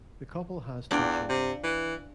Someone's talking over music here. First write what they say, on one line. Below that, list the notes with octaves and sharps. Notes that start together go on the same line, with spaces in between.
The couple has two children.
E2 D4 F4 G5
C3
E3